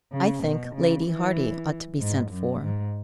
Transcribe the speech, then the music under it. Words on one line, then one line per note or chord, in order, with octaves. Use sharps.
"I think Lady Hardy ought to be sent for."
C#3
B2
C#3
E3
G#2
F#2
G#2